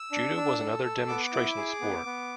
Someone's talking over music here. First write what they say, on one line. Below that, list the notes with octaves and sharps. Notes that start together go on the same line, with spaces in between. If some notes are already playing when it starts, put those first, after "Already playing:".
Judo was another demonstration sport.
Already playing: E6
D4
D4
A4
A4
B3 D6
E4
G#4
B3
B3